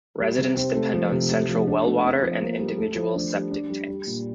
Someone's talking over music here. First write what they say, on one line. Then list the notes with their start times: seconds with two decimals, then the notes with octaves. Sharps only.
Residents depend on central well water and individual septic tanks.
0.20 G3
0.39 C3
0.57 C4
0.75 A3
0.94 F3
1.12 C3
1.30 A3
1.49 F3
1.68 D4
1.86 A3
2.04 C4
2.22 F3
2.41 A#3
2.59 G3
2.78 A3
2.96 F3
3.15 D4
3.33 G3
3.51 D4
3.70 G3
3.88 G3
4.07 A#2